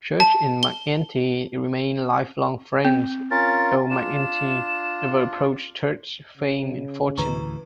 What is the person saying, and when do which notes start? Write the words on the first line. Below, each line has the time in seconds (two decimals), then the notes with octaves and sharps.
Church and McEntee remained lifelong friends, though McEntee never approached Church's fame and fortune.
0.20 A5
0.63 G7
2.85 C4
3.31 C#4 F4 A#4 A6
3.90 D4 F4 E7
6.38 C#3
7.18 D2 A2 E3 B4 A#5 C#6